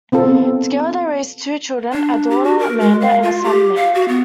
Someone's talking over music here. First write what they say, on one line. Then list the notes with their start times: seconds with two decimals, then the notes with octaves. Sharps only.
Together they raised two children, a daughter Amanda and a son Nick.
0.12 B3 C4 F4 A4
1.93 D4
2.30 G4
2.44 F#4
2.59 A#4
2.80 G#3
3.01 F5
3.23 F4
3.44 G4
3.76 F5
3.95 F#4
4.08 B3